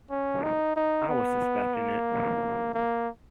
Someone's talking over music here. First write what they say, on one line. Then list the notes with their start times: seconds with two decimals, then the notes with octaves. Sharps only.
I was suspecting it!
0.11 C#4
0.43 D#4
0.76 D#4
1.09 B3
1.75 A#3
2.74 A#3